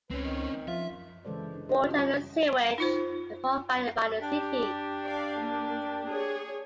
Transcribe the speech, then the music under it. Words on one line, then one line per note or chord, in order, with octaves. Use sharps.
Water and sewage are provided by the city.
C#2 C4 C#4 B4
D#3
F3 F4 E5
C#3 E3 G#3 A4 C5 D5
G#3
D4
C#3 D4 G4 C5 D#5
C#4 F4 F#4 C5 D#5
G3 C#4
D#4 F4 C5
D4 G4
D5 F5
A#3
G#4 C#5